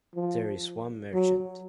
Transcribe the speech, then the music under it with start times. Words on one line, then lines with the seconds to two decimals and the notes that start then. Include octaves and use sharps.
There is one merchant.
0.15 F3
1.14 F#3